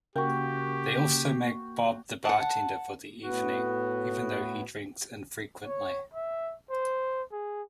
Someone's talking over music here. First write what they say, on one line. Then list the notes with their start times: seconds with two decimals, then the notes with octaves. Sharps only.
They also make Bob the bartender for the evening even though he drinks infrequently.
0.16 C#3 A#3 F#4 G4 G5
2.25 F#5 A5
3.23 A2 B3 F#4
5.66 C#5
6.14 E5
6.71 C5
7.32 G#4